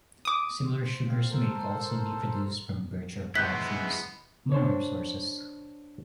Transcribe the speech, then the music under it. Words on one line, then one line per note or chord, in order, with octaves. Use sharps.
Similar sugars may also be produced from birch or palm trees, among other sources.
D6 D#6
C5
C4 F5
A4 A#4 C5
G#3 B3 E4 F#6 G6 B6
D4 C5 C#5